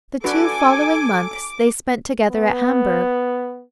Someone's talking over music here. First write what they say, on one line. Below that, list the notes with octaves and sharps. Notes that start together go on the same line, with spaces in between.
The two following months they spent together at Hamburg.
D4 F#4 A4 B4 G#5 D6
B3